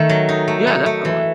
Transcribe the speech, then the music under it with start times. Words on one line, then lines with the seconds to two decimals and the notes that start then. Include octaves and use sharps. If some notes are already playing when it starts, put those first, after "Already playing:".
Yeah, definitely.
Already playing: D#3 A3
0.09 F#3
0.29 D#4
0.48 A3
0.67 D#4
0.86 A3
1.05 E3